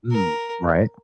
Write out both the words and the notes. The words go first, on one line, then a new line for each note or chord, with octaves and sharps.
Mm, right?
A#4